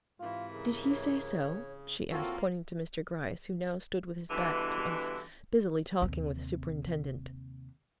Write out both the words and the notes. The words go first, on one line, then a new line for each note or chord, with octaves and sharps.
"Did he say so?" she asked, pointing to Mr. Gryce who now stood with his back to us busily talking with the Superintendent.
G#2 C3 E3 F4
C#3 A#4
C#5
F2 A2 A#3 C4 F4 F#4 A4 A#4
G2 B2 D3 E3
D#2 C3